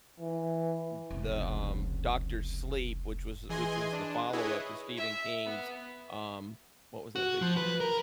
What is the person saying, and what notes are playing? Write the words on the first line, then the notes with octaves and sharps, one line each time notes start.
th the, um Doctor Sleep, which was which was the follow-up to Stephen King's, um what was that big
E3
F1 C#2
E3 G#4 D#5 G#5 C6
D4
E4 G#4 B4 C#5 D#5
E5
B3
F#4
F3
B4
A#4